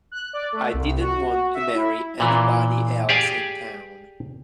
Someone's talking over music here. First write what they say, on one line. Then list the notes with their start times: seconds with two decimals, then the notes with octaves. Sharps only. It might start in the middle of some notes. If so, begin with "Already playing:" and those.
I didn't want to marry anybody else in town.
0.12 F#6
0.33 D5
0.52 A3
0.74 C2
1.00 F#4
1.34 F#4
1.54 E5
1.75 E4
2.20 A#2 E3
3.09 G4 G#4 D5 F5 G#5